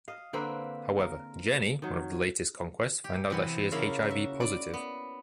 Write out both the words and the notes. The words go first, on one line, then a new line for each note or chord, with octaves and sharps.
However, Jennie, one of his latest conquests, finds out that she is HIV positive.
D#5 F5
D3 A#3 C4 B4
A#4
D#3 F#3
G4
C3 E3 B3
C#3 A#3 E4 F5
F#4 E5
D5
B3